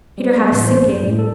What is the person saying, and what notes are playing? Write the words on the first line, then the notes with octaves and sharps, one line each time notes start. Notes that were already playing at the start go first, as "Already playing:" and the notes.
Peter had a sinking.
G3
B3
A1
C5
F#2
A2
A4